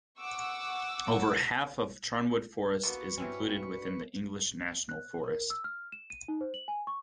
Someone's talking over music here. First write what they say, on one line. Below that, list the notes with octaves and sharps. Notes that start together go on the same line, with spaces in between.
Over half of Charnwood Forest is included within the English National Forest.
F#5 C#6 D6 E6
D3 A#3 B3 F#4 B4 C#6
G2 E3 C4 C#4
F#6
A#4
E6
F6
E7
D#7
D#4
C5
F#7
G#5
C#6